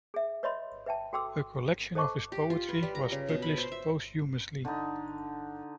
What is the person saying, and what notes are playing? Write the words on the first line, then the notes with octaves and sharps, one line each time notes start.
A collection of his poetry was published posthumously.
G#4 E5
B4 C#5 D#5 E5 B5 C6
B4 E5 G5 A5
F#4 A4 G5 C6 D6 E6
A4 C5 D#5 A5 C#6 D6
G4
F4
B4
G3
A#5
C#3
B2
B5
C5
E5
D3 D#4